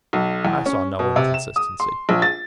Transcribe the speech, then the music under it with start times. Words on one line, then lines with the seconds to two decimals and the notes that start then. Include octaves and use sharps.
I saw no inconsistency.
0.13 B1
0.45 E2
0.66 C#4
0.99 B2
1.16 C3
1.34 E7
1.56 D#6
1.80 C6
2.09 A#1
2.22 A6